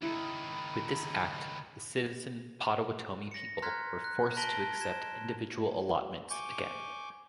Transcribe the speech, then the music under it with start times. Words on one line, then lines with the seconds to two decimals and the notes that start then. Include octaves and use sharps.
With this Act, the Citizen Potawatomi people were forced to accept individual allotments again.
0.02 C#2 D#3 E4 B5
3.31 A#6 C#7
3.62 A#5 C6 F6 F#6 G#6 B6
4.04 F#6
4.37 A5 B5 A#6 B6 D7 G7
4.81 G#6 E7
6.30 G#5 C#6 D6 G6